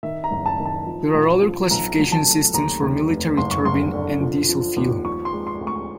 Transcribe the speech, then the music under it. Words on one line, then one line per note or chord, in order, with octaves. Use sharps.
There are other classification systems for military turbine and diesel fuel.
D#3 E5
A#5
F#1
A5
D#3
A5
F3
A#1
F3
B1 A#5
F#3
A5
A3
D#2 A#5
D#2
F1
F#1 C6
C#6
F#1 C6
D3
F3
F3
D#2
F3 C#6
C6
G#3
C6
D2
C#6